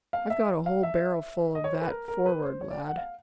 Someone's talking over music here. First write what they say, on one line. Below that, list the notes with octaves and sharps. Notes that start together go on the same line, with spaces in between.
"I've got a whole barrel full of that forward, lad."
F5
E5
F5
E5
D#5
C#5
C5
B4
A#4
A#4
B4
C5
C#5
D5
F#5
F5